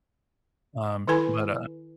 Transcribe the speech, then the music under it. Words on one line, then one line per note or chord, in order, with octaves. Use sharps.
Um, but, uh
D#3 E4 A4 B4 G#5 B5